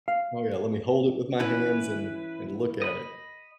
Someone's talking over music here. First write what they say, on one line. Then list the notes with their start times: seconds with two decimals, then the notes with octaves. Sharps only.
Oh, yeah, "Let me hold it with my hands and and look at it."
0.08 F5
1.40 E3 C#4 E4 B4
2.82 D#5 B5